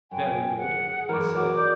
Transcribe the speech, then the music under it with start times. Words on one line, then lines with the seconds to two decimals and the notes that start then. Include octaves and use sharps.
"Very good," I said.
0.11 F#2 G5 G#5
0.57 G#4 F#5
1.09 F#2 E3 A#4 D6
1.37 F#3 D6
1.57 D5 D#5 G6